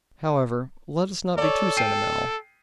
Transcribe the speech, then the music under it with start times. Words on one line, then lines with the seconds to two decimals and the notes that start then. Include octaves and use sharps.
However, let us not be too sentimental.
1.38 A4 C#5 D5
1.77 G5 C7 D#7